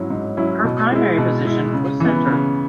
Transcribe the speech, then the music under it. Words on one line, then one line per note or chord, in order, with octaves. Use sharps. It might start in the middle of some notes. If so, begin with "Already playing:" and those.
Her primary position was center.
Already playing: G#2 F#3 C#4 E4
G#2
F#3 C#4 E4
B2
G#3 E4
B2
G#3 E4
C#3
E3 B3
C#3